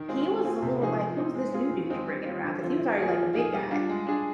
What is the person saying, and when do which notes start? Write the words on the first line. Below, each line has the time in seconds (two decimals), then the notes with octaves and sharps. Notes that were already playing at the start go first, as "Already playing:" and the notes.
he was a little, like, "Who's this new dude you're bringing around?" 'Cause he was already, like, a big guy.
Already playing: D#3
0.08 G#3 C4 F4
0.26 G#3
0.44 C4 F4 G#4
0.62 C3
0.81 F3 G#3 D#4 G#4
0.98 F3
1.16 C4 D#4
1.35 G#3
1.52 C4 F4 G#4
1.71 D#3
1.90 G#3 C4 D#4
2.08 G3
2.26 C4 F4
2.44 D3
2.61 F3 C4
2.80 D#3
2.98 A#3 F4 G#4
3.17 F3
3.34 A#3 D#4 G#4
3.53 G3
3.71 D4 F4
3.89 G#3
4.07 D4 G#4